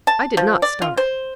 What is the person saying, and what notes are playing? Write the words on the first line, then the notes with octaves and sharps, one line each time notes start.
I did not start!
A5
F3
D5
F4
C5